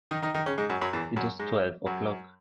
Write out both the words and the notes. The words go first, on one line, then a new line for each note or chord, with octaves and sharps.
It was twelve o'clock.
D#3 D#4
D#3 D#4
D#3 D#4
C#3 C#4
G#2 G#3
F#2 F#3
F#2 F#3
E2 E3
F#2 F#3
G#2 G#3
F#2 F#3